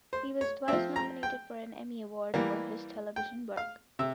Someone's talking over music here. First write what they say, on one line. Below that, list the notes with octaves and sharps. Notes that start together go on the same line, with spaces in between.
He was twice nominated for an Emmy Award for his television work.
C5
C#5
F3 C4 E5
A#5
G5
E3 G3 A#3
G5
F5
C3 E5